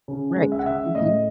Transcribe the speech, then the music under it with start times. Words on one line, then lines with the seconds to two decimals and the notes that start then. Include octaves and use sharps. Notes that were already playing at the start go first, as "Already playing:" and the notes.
Right. Mhm.
0.08 C#3
0.36 G#3
0.52 E5
0.59 F#5
0.66 C#3 E5
0.95 A2 D#5